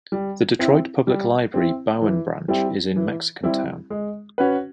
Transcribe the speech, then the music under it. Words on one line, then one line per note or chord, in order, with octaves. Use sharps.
The Detroit Public Library Bowen Branch is in Mexicantown.
G3
C4 E4
G3
C4 E4
E3
G3 C4 E4 G4
E3
G3 C4 E4 G4
G#3
C#4 F#4 B4